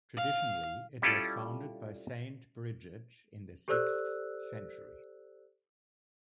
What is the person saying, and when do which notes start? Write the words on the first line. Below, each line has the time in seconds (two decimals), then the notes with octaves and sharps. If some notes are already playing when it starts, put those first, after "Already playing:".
Traditionally, it was founded by Saint Bridget in the sixth century.
0.16 F5
1.02 G3 C#4 E4 F4 A4 D5
3.68 G4 A4 C5 D5 E6 F#6